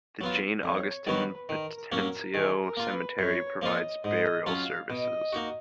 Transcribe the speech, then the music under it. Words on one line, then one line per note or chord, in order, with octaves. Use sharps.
The Jane Augustine Patencio Cemetery provides burial services.
F#3 B3 F4
F2 C#5
D#3 F#3 B3 F#4 B4
D#3 A#4
F#3 A#3 C#4 A#4
D#3 G#4
A#4
A#3 F4
B4
F#2 C#5
F3 A#3 F4 D#5
G#2 D#5
F#3 C#4 F4 F5
B2 D#5
A#3 D#4 F#4